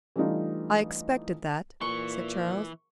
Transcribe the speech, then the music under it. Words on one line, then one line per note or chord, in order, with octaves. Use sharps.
"I expected that," said Charles.
E3 G3 A3 D4 D#4 F4
A#2 E3 C#6